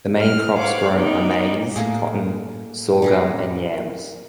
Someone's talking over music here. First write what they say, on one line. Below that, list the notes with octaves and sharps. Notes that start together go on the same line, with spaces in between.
The main crops grown are maize, cotton, sorghum, and yams.
F6
C5 C#5 F5 F#5 D6
B3 D#4 A#4 D5 G5
A2 A3 A#3 G#4
G3 G#4 A#4